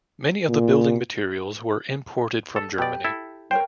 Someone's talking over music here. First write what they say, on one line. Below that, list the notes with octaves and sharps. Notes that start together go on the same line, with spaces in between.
Many of the building materials were imported from Germany.
A#2
A4
B2 G4 D5
E4 A4
A#4 C5 C#5 G5